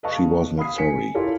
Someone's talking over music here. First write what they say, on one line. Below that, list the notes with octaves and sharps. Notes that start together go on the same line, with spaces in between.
She was not sorry.
B4 D#5 F5 A5 C#6
F5 B5 D#6 C7
G#5 B6 C#7
E4 F4 G4 A4 A#4 C#5